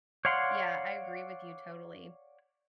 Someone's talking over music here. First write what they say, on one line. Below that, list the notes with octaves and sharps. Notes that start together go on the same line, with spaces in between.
Yeah, I agree with you totally.
C#5 D5 F5 F#5 C6